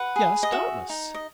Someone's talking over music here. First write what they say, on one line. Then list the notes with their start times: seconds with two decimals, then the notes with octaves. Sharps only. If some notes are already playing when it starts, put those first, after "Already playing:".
"Yes, doubtless."
Already playing: B4 F#5
0.16 G#4
0.43 D#5
0.52 F#4 E5
0.89 D#4
1.14 D#5